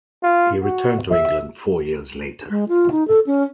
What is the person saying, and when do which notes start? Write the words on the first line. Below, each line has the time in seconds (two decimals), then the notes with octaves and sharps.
He returned to England four years later.
0.23 F4
0.63 F#4
1.11 E5
2.50 G#3
2.69 F4
2.91 D#4
3.08 A4
3.27 C#4